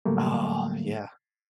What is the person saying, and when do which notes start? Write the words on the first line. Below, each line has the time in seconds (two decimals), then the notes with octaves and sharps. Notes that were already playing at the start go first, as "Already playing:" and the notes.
Oh, yeah.
0.05 A2 D3 F#3 G3 A3 A#3